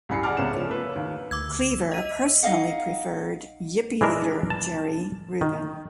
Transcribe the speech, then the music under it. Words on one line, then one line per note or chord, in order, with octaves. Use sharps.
Cleaver personally preferred Yippie leader Jerry Rubin.
C2 F#2 G#5 B5 C7 C#7
G#4 D5 F#5 A5 D6 F6
C#2 C3 B3 C#4 E7
F3 C#4
A3 A#3 A4 B4
D#2
D2 D6 E6 G#6
D#5 E5 D#7
D#4 D#5 F5 F#5
E3 G#3 D4 A#4
A5
D#3